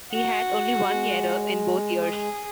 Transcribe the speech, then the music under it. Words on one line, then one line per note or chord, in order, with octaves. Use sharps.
He had only one error in both years.
F#4
G#3
G#4